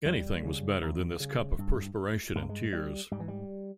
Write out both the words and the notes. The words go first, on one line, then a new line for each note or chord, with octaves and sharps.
Anything was better than this cup of perspiration and tears.
E2 G3
C#3
E2
C#3
G2
G2 G#3
A#3
G#3
G3
G#2 G3
E3
G3